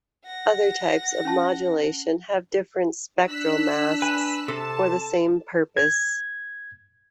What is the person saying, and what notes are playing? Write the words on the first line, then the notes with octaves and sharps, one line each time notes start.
Other types of modulation have different spectral masks for the same purpose.
F#5 A#6
C#4 A5
D4 E6 F#6 B6
B4 G#5
C3 A4 A5
G#6